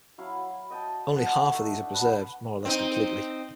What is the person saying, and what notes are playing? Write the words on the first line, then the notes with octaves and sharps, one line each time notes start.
Only half of these are preserved more or less completely.
F#3 E4 F5 B5
D#5 G5 A5
C5 D#5 F#5 A5
A3 D#4
D4
B4 D#5 F#5 B5
C4 D#4